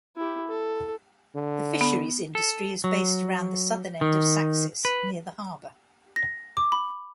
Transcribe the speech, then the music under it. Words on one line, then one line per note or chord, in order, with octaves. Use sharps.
The fisheries industry is based around the southern end of Saxis near the harbor.
E4 G4
A4
D3
B3
A4
F#3
D#3
B4
A#6
D6
B5